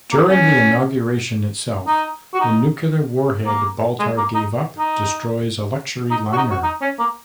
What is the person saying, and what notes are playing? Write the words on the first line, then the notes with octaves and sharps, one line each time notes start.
During the inauguration itself, the nuclear warhead Baltar gave up destroys a luxury liner.
A#3
C#4
D#4
F#4
D#4
A#3
G#3
A#3
D#4
D#4
D#4
F#4
D#4
F#4
D#4
C#4
A#3